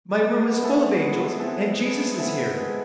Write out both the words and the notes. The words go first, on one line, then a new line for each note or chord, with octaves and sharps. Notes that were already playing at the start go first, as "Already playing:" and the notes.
My room is full of angels and Jesus is here.
G#3 B3
C4 E4 A4
G#3
C4 E4 A4
G#3
C4 E4 A4
G#3